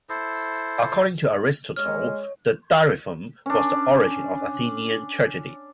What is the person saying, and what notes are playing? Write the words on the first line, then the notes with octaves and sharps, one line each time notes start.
According to Aristotle, the dithyramb was the origin of Athenian tragedy.
E4 A4 C5
G#3 C#5 D#5 F6
C#4 D4